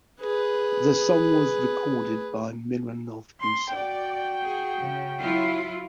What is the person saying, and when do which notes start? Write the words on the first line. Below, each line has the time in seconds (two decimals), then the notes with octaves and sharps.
The song was recorded by Mironov himself.
0.21 G#4 B4
3.41 C6
3.72 F#4 D5 G5
4.43 G#4
4.81 C#3
5.19 F#3 E4 F4